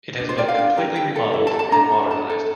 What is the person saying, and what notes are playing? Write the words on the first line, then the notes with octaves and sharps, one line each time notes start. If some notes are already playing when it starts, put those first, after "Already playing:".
It has been completely remodeled and modernized.
D4
C5
G4 A#4 D5
F5
D4
G4 A#4
E4 G5
A4
E4
A5
A4
A5
D4 A#5
A4
D4 A5
A4